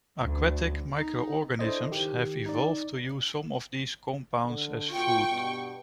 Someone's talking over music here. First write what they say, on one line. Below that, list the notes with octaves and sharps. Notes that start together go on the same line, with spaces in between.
Aquatic microorganisms have evolved to use some of these compounds as food.
D2
D#4
D4 E4 A4 C5 D5 D#5
D#3 G4
D#4 D5
D3
B2 D3 F4 G5 C#6
G2 B2